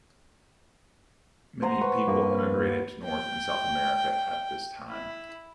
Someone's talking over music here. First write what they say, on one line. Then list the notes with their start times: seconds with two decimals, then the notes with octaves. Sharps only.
Many people emigrated to North and South America at this time.
1.62 C5 F#5 A#5
1.81 B4 C#6
2.07 G2 A#3
3.04 G5
4.89 E4